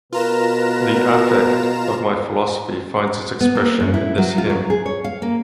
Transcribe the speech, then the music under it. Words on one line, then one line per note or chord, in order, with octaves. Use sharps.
The affect of my philosophy finds its expression in this hymn.
B2 F4 A#4 B4 A#5 E7
B3
A#3
F#2
E4
F#3
F4
F#3
G#4
C#5
F5
A#3